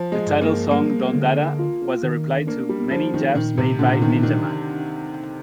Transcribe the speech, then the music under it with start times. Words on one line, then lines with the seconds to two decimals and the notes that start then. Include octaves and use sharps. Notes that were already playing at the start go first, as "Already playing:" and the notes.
The title song, "Don Dada" was a reply to many jabs made by Ninjaman.
Already playing: F3
0.12 G#3
0.27 G2
0.41 A#3
0.71 G3 A#3
1.15 D3
1.59 F4
2.03 D#3
2.47 A#3 D4
2.69 G3
2.91 F3 A#3
3.14 D#3
3.35 A#2 D#3
3.58 C3
3.79 A#2 D3
4.02 D#3
4.23 D#3 D4